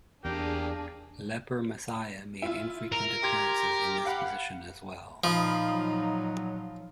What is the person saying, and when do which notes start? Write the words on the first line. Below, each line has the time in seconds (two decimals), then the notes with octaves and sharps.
"Leper Messiah" made infrequent appearances in this position as well.
0.25 E2 A#3 D4 G4 G#4 G5
2.42 E4 F4
2.92 A#4
3.23 G4 C6 G#6
4.05 F5 F#5 B5
5.24 A#2 F3 D#4 F5 B5 D#6
5.71 F#3